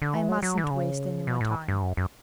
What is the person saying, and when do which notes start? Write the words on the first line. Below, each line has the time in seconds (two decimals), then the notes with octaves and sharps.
I mustn't waste any more time.
0.02 D3
0.15 E3
0.29 F#3
0.43 F#3
0.58 E3
0.64 D3
0.70 C#3
1.27 B2
1.41 A2
1.68 G2
1.82 F#2
1.97 F#2